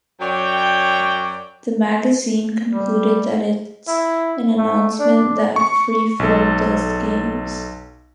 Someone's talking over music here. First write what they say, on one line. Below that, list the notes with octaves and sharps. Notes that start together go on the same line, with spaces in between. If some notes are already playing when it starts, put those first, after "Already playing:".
The magazine concluded that it's an announcement that Free Fall does games.
F#2 F#3 C#5 D5 G5
G3
E4
A3
D4
C#6
B1 A4